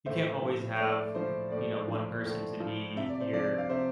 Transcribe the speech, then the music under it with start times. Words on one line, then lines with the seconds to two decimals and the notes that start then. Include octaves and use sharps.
you can't always have m you know, one person to be your,
0.06 A2 C5 E5
0.42 F3
0.79 A2 D5
1.15 F3 C5
1.51 A2 D5
1.88 F3
2.25 A2
2.60 F3
2.96 C3 E5
3.09 D5
3.21 C5
3.33 F3 D5
3.58 F5
3.70 C3 C5 E5